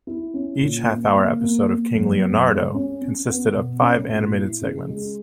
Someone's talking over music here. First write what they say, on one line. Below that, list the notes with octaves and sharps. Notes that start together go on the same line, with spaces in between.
Each half-hour episode of "King Leonardo" consisted of five animated segments.
E4
C#4
A#2
A#3
A#3
A#3
A#3
F#2
B3
G#3
C#4
C#4
B3
B2
C#4
A#2
E4
C#3
G#3